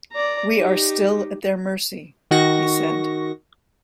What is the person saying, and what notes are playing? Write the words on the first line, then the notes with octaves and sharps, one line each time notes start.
"We are still at their mercy," he said.
D5 A#5
D#4 G4
D#3 F#4 C#6 A#6